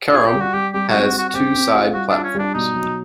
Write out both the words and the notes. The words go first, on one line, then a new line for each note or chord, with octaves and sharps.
Carrum has two side platforms.
F4 G#4
G4
G3
F#4
G3 G4
G3 G4
F#4
C4
F#4
G3 F#4
F#4
C4 G4
C4
F4
G3 F#4
D4
F4
C#4
G3 D4
B2 D#4
F#3